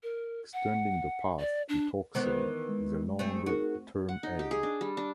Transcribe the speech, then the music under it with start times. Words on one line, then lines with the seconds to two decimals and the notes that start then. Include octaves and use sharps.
Extending the path to Torksey is a longer term aim.
0.03 A#4
0.53 F#5
1.39 D5
1.69 D4
2.15 D#3 E3 G#3 B3 C5
2.69 G#3
3.19 A3 C4 G#4
3.46 D#4 F#4 G#4 A#4
4.09 F#5
4.23 D#4
4.39 G4
4.51 G#4
4.63 D4
4.81 G3
4.97 D4